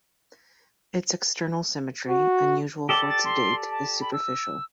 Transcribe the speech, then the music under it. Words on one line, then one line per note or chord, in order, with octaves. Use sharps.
Its external symmetry, unusual for its date, is superficial.
F#4
G4 A4 D5 G7
A6
C6
A5
B5
E6